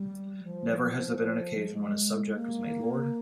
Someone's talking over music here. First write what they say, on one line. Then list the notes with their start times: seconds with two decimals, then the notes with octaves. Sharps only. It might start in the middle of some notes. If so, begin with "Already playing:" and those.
Never has there been an occasion when a subject was made lord.
Already playing: G3
0.44 F3
0.81 F3
1.58 G#3
1.65 G3
1.72 G#3
2.34 A#3